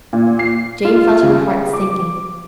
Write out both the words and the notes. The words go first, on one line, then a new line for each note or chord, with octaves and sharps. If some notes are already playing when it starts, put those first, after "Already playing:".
Jane felt her heart sinking.
A#2
C7
F4
C#3
D6